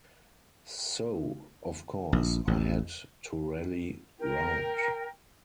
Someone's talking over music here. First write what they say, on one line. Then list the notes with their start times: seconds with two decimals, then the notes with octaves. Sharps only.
So, of course, I had to rally round.
2.13 A#1
2.47 A1
4.17 A#4 G5